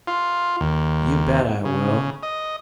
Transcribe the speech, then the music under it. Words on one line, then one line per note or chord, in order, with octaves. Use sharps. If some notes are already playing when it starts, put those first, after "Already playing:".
You bet I will!
F4
D#2
C#3
D#5